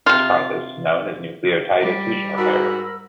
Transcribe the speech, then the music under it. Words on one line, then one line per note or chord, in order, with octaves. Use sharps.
This process is known as nucleotide excision repair.
C3 F4
G3
G#2 F#4 A#4 B5 E6